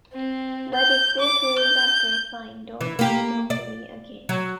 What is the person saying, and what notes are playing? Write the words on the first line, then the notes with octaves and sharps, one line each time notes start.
But if they feel that way, fine, don't ever talk to me again.
C4
G6
D6
G6
E3
A#3 G4
D5
F#3